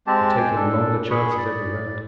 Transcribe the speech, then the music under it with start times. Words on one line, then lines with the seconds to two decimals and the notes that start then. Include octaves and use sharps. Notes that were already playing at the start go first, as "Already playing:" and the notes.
They're taking longer chances every round.
0.07 G#3 C4 G4 A5
0.37 G5 G#5
0.55 D4 A4
1.11 G#4 B5 C#6
1.37 D5